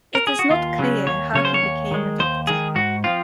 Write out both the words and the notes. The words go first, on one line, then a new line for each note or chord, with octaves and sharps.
It is not clear how he became a doctor.
A#4
G#4
F#4
D#2 F4
C#3 F#3 C#4
D#2 C#5
C#3 F#3 C#4 C#5
C5
C#5
D#2
D#3 G#3
D#2 C5
D#3 G#3 G#4
G#2 F#4
F3 C4 F4